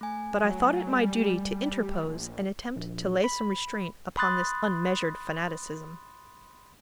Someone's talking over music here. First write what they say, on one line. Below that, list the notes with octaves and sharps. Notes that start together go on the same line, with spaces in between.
But I thought it my duty to interpose and attempt to lay some restraint upon this unmeasured fanaticism.
A3 G#5
F#3
G3
A#1
A#1
B5
B5 C6 D#6 F#6 A6